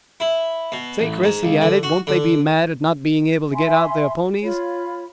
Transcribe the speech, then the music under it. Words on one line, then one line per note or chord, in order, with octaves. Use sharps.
"Say, Chris," he added, "won't they be mad at not being able to get out their ponies!"
E4
B2
A1
G#2
C#2
D3
F#4
D3
E5 G#5 B5 C6
F4 C#5 B5